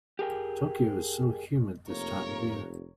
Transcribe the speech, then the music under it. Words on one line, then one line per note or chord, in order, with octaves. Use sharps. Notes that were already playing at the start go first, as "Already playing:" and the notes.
Tokyo is so humid this time of year.
G4 G#4 A#4 G5
F1 A#3 A#4 C#5